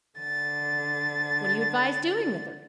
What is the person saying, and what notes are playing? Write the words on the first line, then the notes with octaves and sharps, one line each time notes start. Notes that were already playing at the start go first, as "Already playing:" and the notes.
"What do you advise doing with her?"
D3 A6